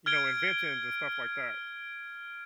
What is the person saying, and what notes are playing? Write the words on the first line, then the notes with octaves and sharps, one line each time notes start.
you know, inventions and stuff like that.
F6 G#6 D7 G7